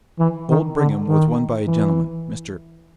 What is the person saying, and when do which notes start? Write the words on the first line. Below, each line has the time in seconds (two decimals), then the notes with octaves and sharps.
Old Brigham was won by a gentleman--Mr.
0.19 E3
0.49 D#3
0.78 D3
1.07 D#3
1.67 E3